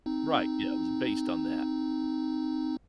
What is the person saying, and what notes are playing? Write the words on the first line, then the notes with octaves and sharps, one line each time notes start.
Right, yeah, it was based on that.
C4 D#4